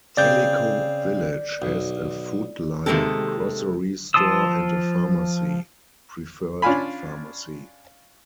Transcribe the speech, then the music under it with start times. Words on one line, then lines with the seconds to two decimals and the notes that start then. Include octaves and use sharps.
Tellico Village has a Food Lion grocery store and a pharmacy, Preferred Pharmacy.
0.17 C#3 C4 D5 G6
1.62 B1
2.86 C3 D#3 G#3 A#3 G4 A4
4.14 F3 A5 C6 D#6 E6
6.62 C#4 D4 F4 F5 G#5 B5